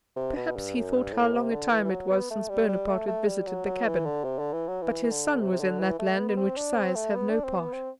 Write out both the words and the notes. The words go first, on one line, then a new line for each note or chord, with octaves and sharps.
Perhaps he thought how long a time it was since Bonaparte had visited the cabin; but his son was in that land in which sighs have no part.
C3
B2
G2
F#2
G2
A2
C3
D3
E3
E3
F#3
B3
A3
G3
G3
A3
A3
G3
F#3
F#3
E3
D3
C3
D3
E3
F#3
E3
E3
D3
C3
C3
D3
E3
A3
B3
B3
C4
D4
C4
A3
B3
D4
C4
B3
C4